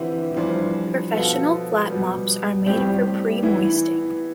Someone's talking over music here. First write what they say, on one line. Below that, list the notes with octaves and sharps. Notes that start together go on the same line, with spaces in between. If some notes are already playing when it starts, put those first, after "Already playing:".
Professional flat mops are made for pre-moisting.
Already playing: D3 E3 F3 C4 G4
E3 F3 G3 D4
B2 B3 F4 A4
B2 G3 B3
A2 F3 G3 C4 G4 D5
E3 B3 E4